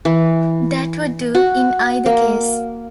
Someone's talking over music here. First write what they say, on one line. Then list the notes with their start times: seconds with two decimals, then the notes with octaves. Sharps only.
That would do in either case.
0.05 E3
1.35 F#4
2.06 A#3